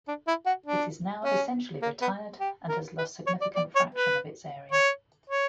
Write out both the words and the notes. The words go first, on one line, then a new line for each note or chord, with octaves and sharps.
It is now essentially retired, and has lost significant fraction of its area.
D4
E4
F#4
D4
C#4
A#3
B3
G4
A#4
B4
C#5
D5
D5
C#5
B4
C#5
C#5